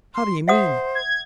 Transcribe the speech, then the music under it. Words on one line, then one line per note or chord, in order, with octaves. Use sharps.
"How do you mean?"
C6
C5 E5 F#5 D#6
G#6